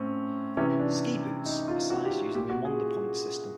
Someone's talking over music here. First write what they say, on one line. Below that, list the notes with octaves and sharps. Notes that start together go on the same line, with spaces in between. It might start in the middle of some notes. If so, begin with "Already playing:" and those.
Ski boots are sized using the Mondopoint system.
Already playing: A2 C4 C#4
C3 E3 C#4
D4
D#4
F4
F#4
G4
A#2 G4
F#4
G#4